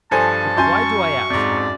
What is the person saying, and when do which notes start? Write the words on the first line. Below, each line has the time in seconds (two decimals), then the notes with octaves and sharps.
But why do I ask?
0.11 G2 F3 A4 C5 G#5 A5
0.57 F#2 G#5 C6 C#6 G6
1.30 F2 G#2 D5